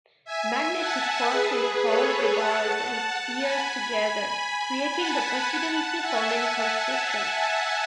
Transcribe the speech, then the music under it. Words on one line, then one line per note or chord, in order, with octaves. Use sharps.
Magnetic forces hold the bars and spheres together, creating the possibility for many constructions.
E5 G#5
F#5 A5
G#4 B4
A4 C#5
F#5 A5
G#5 B5
G#5 B5
F#5 A5
E5 G#5